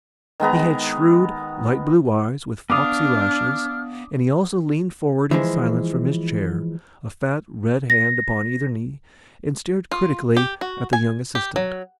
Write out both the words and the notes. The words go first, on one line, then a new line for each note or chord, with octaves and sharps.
He had shrewd, light-blue eyes with foxy lashes, and he also leaned forward in silence from his chair, a fat, red hand upon either knee, and stared critically at the young assistant.
D#3 G#3 B3 A#5
B3 D4 F5 D6 D#6 F6
E3 F3 G#3
A#6
F4
G4
F#4
G#5
G4
F#3